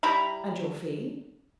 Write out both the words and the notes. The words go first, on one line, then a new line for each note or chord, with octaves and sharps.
"And your fee?"
G3 E4 A#5 B5